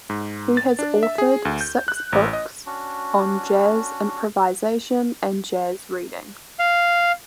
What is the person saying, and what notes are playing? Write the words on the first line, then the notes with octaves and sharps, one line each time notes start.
He has authored six books on jazz improvisation and jazz reading.
G#2
A6
D4
E5
G#4
D2
G6
F#6
A1
D#5
C#4 D4 F#4
F5